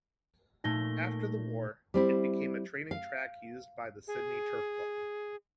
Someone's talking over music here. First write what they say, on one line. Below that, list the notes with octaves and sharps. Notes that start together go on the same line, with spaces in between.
After the war, it became a training track used by the Sydney Turf Club.
A#2 A3 D#4 A#6 G7
G3 C4 E4
F5
G#4